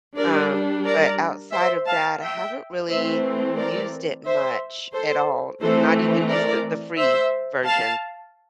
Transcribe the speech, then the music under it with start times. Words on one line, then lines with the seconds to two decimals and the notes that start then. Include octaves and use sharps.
Um, but outside of that, I haven't really used it much at all, not even just the the free version.
0.16 G3 D4 A#4 D5
0.85 A#4 D5
1.52 C5 E5
1.86 F5 A5
2.21 E5 G5
2.89 E3 A3 C4 C5 E5
3.57 A#4 D5
4.25 C5 E5
4.93 A4 C5
5.61 E3 A3 C4 A4 C5
6.29 A#4 D5
6.97 C5 E5
7.66 F5 A5